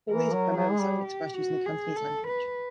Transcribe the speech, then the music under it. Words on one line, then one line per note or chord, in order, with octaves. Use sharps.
All of these are primarily sung and expressed using the Cantonese language.
E3 A#4
F#3
F#3 G#4
G#3
G3
G4
F#4
G#4
A4
B4